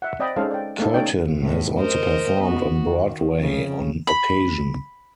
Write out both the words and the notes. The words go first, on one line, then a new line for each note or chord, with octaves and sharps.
Curtin has also performed on Broadway on occasion.
E5 F#5
C4 D5 D#5 G5 B5
G#3 C#4 D#4 A4 C5 F5
D5 G5
A3 A#3 C4 D#4 A4
C#4 D#4 C#5 D5 G5
A2
A#4 C5 D#5
B3 F#4
D#3
F2 C#3
B5